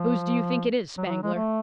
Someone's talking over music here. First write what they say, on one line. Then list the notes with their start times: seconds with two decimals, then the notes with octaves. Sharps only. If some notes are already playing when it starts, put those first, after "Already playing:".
"Whose do you think it is, Spangler?"
Already playing: F3
0.97 F#3
1.05 F3
1.10 F#3
1.23 G#3
1.35 A3